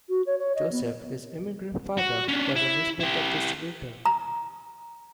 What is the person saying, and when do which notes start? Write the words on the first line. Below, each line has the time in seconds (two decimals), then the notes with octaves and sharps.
Joseph, his immigrant father, was a newspaper distributor.
0.09 F#4
0.26 C#5
0.39 C#5
0.56 D#5
0.72 B3
1.98 F#4
2.28 C#4 D4
2.56 E4
3.00 E4 G4
4.06 A#5